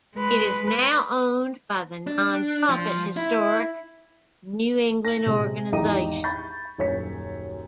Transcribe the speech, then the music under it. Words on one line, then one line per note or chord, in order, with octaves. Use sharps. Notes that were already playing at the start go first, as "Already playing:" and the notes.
It is now owned by the nonprofit Historic New England organization.
G#3 B4
D4
F3
E4
A#6 F#7
C3 G#3
G#1 E2 D#4 G4 A#5 D#7
B5 C#6 G6 A6
D#1 F#2 C#5 B6